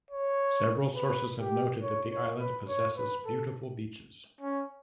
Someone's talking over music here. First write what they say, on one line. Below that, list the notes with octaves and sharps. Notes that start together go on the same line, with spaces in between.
Several sources have noted that the island possesses beautiful beaches.
C#5
B4
G4
C#5
C#5
B4
C#5
B4
A4
C#4